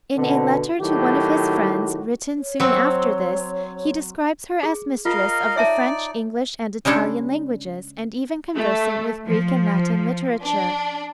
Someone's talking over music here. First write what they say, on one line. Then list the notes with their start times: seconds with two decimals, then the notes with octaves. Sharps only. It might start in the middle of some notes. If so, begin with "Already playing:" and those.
In a letter to one of his friends, written soon after this, he describes her as mistress of the French, English, and Italian languages, and even conversant with Greek and Latin literature.
0.17 B2 D3
0.79 A2 D#3 F#3 F#4 G4
2.38 C#5
2.60 F#3 C4
4.63 G#4
5.05 F4 A#4 D#5 F5
5.56 D#4 C#5 D5 E5 A5
6.85 C#3 G3 G#3 D4 A4
8.55 A3
9.26 F3
10.42 D4